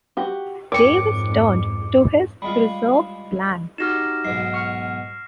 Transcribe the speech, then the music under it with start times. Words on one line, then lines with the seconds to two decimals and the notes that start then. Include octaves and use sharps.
Davis turned to his reserve plan.
0.17 F#4 G4
0.72 F2 G#2 A#4 C#5 G5 D6 C#7
2.42 G3 G#3 F4 B5
3.78 D#4 F#4 G4 F6 A#6 E7
4.24 B1 G#2 B2 C7
4.53 C#6 F6 C#7